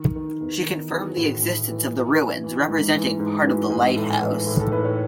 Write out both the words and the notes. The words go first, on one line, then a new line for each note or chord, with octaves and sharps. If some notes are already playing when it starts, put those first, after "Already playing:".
She confirmed the existence of the ruins representing part of the lighthouse.
Already playing: D#3
D#3
E2
D#3
E3 G#4
A2 F#4
A2
E3
E3
E3
E3
G#2
E3
G#2
E3 F#4
G#2 G#4
A2 A4
E3 A4
A2
A4
A2 B4
C#5